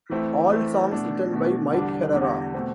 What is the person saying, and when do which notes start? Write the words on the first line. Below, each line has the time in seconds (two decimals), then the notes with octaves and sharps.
All songs written by Mike Herrera.
0.10 E3 A3 C4 E4
0.50 E3 A3 C4 E4
0.91 B2 A3 D4
1.33 B2 A3 D4
1.73 E2 D3 G3 D4
2.13 E2 D3 G3 D4
2.54 B2 A3 C4